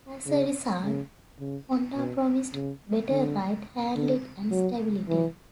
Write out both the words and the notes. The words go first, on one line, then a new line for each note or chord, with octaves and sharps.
As a result, Honda promised better ride, handling and stability.
C#3
C#3
C#3
B2
C#3
D3
D3
F#3
E3